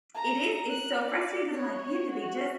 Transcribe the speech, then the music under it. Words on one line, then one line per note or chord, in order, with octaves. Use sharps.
it is, it's so frustrating, 'cause I'm like, "Man, did they just,
A#5
F#6
D5
C#5
F#4